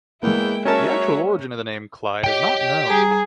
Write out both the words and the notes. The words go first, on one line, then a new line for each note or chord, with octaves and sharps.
The actual origin of the name "Clyde" is not known.
E2 G#3 A#3 E4 G5
F#3 C#4 A#4 C#5 E5 A5
G4 C#5 D#5 G5
G3 G#4 A#5